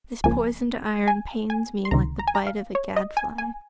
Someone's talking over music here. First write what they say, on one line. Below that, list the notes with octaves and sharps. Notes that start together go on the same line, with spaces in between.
This poisoned iron pains me like the bite of a gad-fly.
C#2 C#3 F3 A#3 G#5
G#5
G#5
C6
C#2 C3 D#3 A#5
A#5
G#5
A#5
F5
C#5
D#5
G#5
G#5